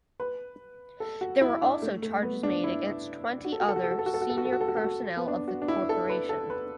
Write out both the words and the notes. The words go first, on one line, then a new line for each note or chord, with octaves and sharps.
There were also charges made against twenty other senior personnel of the Corporation.
B4
A4
F#4
E4
D4
A3
A3
B3
D4
E4
F#4
A4
F#4
A4
F#4
A4
F#4
A4
F#4
A4
F#4
A4
F#4
A4
F#4
A4
F#4
A4
F#4
B3
D4
F#4
D4
E4
A4
B4
A4
B4